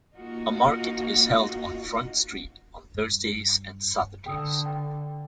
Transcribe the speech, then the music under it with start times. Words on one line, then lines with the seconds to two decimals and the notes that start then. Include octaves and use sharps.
A market is held on Front Street on Thursdays and Saturdays.
0.15 A#3 D#4 F4 F#4
2.94 G2
4.26 D3 G5 D#6 E6
4.66 G5